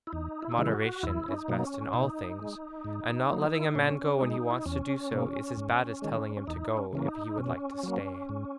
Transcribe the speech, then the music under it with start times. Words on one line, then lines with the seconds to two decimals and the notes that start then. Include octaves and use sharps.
Moderation is best in all things, and not letting a man go when he wants to do so is as bad as telling him to go if he would like to stay.
0.07 E4
0.13 E2 D#4
0.42 E4
0.52 D#4
0.58 C#3 E3 G#3 E4
0.73 F#4
1.03 E2 E4
1.28 C#4
1.33 D#4
1.48 B2 F#3 A#3
1.63 C#4
1.93 B2 D#4
2.39 G#3
2.84 G#2
3.30 F#3 A#3
3.54 E4
3.64 D#4
3.75 A#2 C#4
4.21 G#3 D#4
4.51 E4
4.58 D#4
4.66 E2 C#4
5.11 B2 A#3
5.57 G#2
6.02 D#3 G#3
6.37 C#4
6.47 E2 D#4
6.77 C#4
6.93 C#3 E3 A#3 C#4
7.08 D#4
7.38 B2 C#4
7.83 F#3 A#3
8.29 G#2